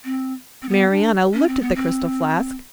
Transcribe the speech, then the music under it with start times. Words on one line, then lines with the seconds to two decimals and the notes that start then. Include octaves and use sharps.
Marianna looked at the crystal flask.
0.05 C4
0.62 C4
0.69 B3
0.90 D4
1.34 C#4
1.48 C4
1.61 B3
1.75 C4